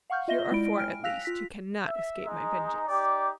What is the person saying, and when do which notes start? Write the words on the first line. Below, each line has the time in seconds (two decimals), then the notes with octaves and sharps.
Here are four, at least, who cannot escape my vengeance.
0.10 F5 F#5 C#6 F6 G6
0.28 F4 D#5 E5 A#6 G7
0.51 G#3 E4 D5 B5 D7
0.76 G5 G#5 F6 D7
1.04 F5 E6 F#6 A#6 B6 F7
1.25 F4 B6
1.87 E5
2.25 G#3 D#4
2.87 D#4 G4 D5